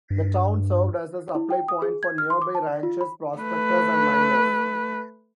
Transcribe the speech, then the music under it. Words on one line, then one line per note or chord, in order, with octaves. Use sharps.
The town served as a supply point for nearby ranchers, prospectors, and miners.
G2
E4
G5
D#6
G#4
G#6
F6
C6
D6
A5
D5
F4
B5
A3 B4